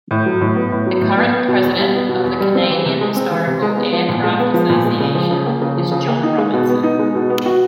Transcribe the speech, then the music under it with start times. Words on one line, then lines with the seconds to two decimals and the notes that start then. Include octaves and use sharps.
The current President of the Canadian Historical Aircraft Association is John Robinson.
0.11 A2
0.26 F#3
0.41 A2
0.56 B3
0.72 A2
0.87 F#3
1.01 A2
1.17 B3
1.33 B3
1.48 B2
1.63 E2
1.79 G3
1.95 B3
2.09 B2
2.24 E2
2.40 G3
2.55 C4
2.70 E3
2.86 C3
3.01 G#3
3.16 C4
3.31 E3
3.47 C3
3.62 G#3
3.77 B3
3.93 F3
4.09 A#2
4.24 G#3
4.39 B3
4.54 F3
4.70 A#2
4.85 G#3
5.00 C#3
5.15 F3
5.31 C#3
5.46 A#3
5.62 C#3
5.77 F3
5.91 C#3
6.08 A#3
6.23 D#4
6.38 G#3
6.53 B2
6.69 B3
6.83 D#4
6.99 G#3
7.15 B2
7.30 B3
7.46 F#4